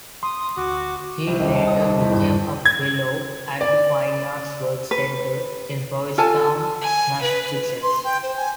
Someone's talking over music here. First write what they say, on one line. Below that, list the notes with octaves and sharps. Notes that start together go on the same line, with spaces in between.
He later became a Fellow at the Fine Arts Work Center in Provincetown, Massachusetts.
C6 D#6
D2 F#4 D6
C2
D#2
A5
D#6
D#6
E2
G2
D#7
G#6
D5
B4
F4 A4 G#5 A5
G#5
B4
C6
G5
C5
G#5